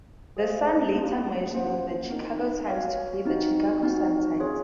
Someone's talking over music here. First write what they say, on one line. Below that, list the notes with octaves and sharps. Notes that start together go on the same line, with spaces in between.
The Sun later merged with the "Chicago Times" to create the "Chicago Sun-Times".
G#4 C5 F5
A#3 C#4 F4
A#3 C#4 F4 C5 F#5
C4 D#4 A#4
F#4 C#5 F5
C4 D#4 F#4
C4 D#4 F#4
F4 G#4 C#5